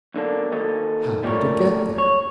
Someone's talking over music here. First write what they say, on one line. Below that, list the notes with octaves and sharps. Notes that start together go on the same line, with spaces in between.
How did it get there?
B1 D3 A#3 D4
D#3 A#3 A4 D#5
F3 G3 A3 A#3 A#4 C#5
C#5